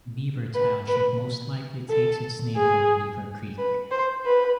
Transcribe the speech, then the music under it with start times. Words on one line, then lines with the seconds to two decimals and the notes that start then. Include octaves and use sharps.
Beaver Township most likely takes its name from Beaver Creek.
0.54 B4
0.88 B4
1.90 A4
2.57 G#4
3.58 B4
3.91 C5
4.26 B4